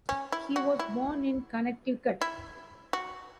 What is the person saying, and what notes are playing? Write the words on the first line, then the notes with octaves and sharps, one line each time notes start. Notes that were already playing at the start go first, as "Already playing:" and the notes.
He was born in Connecticut.
C#4
E4
F#4
E4
E4
F#4